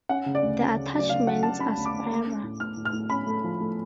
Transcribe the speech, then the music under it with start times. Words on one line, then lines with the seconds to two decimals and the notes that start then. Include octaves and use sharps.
The attachments are spiral.
0.09 C#4 F#5
0.26 C#3
0.35 D5
0.43 D2
0.60 C#4
0.77 C#3
0.93 F#3
0.99 D5
1.09 C#3 F5
1.27 F#3 F#5
1.43 C#3 A5
1.60 C#4 B5
1.77 D2
1.86 D6
1.94 D2
2.10 A3
2.27 C#4
2.43 A2
2.60 A2 F6
2.77 A2
2.85 F6
2.93 A2
3.10 C#4 B5
3.27 A3
3.44 F3
3.61 A3